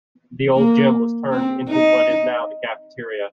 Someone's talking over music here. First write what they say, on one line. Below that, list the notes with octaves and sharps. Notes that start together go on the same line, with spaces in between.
The old gym was turned into what is now the cafeteria.
A#3
C4
D#4